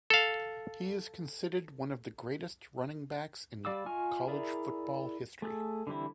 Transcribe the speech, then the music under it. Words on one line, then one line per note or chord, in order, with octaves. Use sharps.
He is considered one of the greatest running backs in college football history.
A4 F5
G3 D5 F5 D6 E6
F4 D#5 G#5 C#6 F6
E4 G#4 A#4 D5 E5
A3 G#4 A4
D3 E3 G3 C4 E4